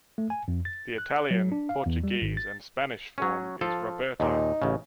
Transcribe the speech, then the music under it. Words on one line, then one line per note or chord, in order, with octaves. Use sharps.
The Italian, Portuguese, and Spanish form is "Roberto".
A3
G#5
F2
A6
F#6
F#3
D4
F5
E2
G3
G#1
A6
F#3 C#4
F3 F4 A4
D#2 A#2 D#4
A1 C#3